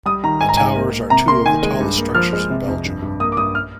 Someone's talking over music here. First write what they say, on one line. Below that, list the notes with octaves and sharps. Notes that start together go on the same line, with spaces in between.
The towers are two of the tallest structures in Belgium.
G3 D#6
D#3 A#5
G#2 G#5
A#5
G#2 G#5
A#3
A#3
C3 A#5
A#3 C6
D#3 G#5
G#3
G2
A#3
F3 F6
G#3
C3
F2
G2
G2
A#3 D#6
D6
G2 D#6
F6